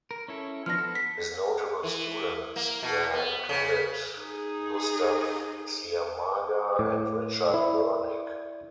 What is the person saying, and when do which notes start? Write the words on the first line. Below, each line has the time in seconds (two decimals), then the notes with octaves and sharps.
His notable students there included Gustav Ciamaga and Richard Wernick.
0.11 A#4
0.28 C#4 E4 A4
0.66 F3 B3 D4 F6 A#6
0.79 B3 A4
0.95 B6
1.83 E3
2.56 A#3
2.82 B2
3.14 B3
3.49 C#3
4.20 D#4 G#4
6.79 A2 D6
7.54 E4 D5